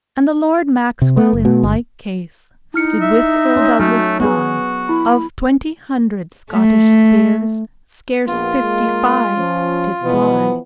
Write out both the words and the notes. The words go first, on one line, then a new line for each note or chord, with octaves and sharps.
And the Lord Maxwell in like case Did with Erle Douglas dye; Of twenty hundred Scottish speres, Scarce fifty-five did flye.
C3
A3
F#1
B2
G1
D#4 E4 F6 C#7
E5
C#4 C6
F#3 A3 F6
B3 F#4 G#4
E4 B5
A3
A#1 B3 F4
G#3 A#3
F3 C#4
B2 E3 F3 B3